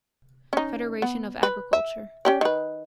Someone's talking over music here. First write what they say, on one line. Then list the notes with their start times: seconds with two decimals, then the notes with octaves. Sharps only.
Federation of Agriculture.
0.53 C#4 D#4
1.02 B3
1.43 B4
1.73 E5
2.25 C#4 G4 D5
2.41 D#3 B4